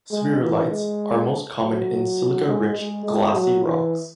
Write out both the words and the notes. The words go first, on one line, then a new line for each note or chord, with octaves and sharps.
Spherulites are most common in silica-rich glassy rocks.
G#3
E3
G#3
F#3
G#3
G#3
G#3
F#3
E3